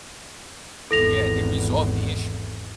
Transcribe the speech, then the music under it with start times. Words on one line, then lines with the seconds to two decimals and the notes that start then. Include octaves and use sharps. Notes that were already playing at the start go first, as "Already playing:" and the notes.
Yeah, they resolved the issue.
0.91 G#1 E2 A4 A#6 F7